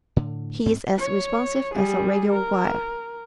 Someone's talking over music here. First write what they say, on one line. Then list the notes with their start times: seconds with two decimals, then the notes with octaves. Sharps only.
He is as responsive as a radio wire.
0.16 A2 D3
0.66 D2 G#2 C4
0.98 C#5
1.74 G3 G#4
2.32 A#4